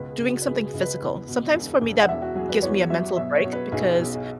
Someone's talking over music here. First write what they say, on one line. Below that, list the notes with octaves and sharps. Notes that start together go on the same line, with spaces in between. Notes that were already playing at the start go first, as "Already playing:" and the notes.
doing something physical. Sometimes for me that gives me a mental break because
Already playing: C#2 B2 B4
G#4
C#3
F#4
B4
C#2 G#4
G#4
C#2
B4
E2
B2
E1
E1
F#5
E2 E5
F#4
F#3 G#4
B4
E2 C#5
F#3 E5
B2 E5
C#5
B2
B4
B1 G#4
G#4
B2 G#4
G#4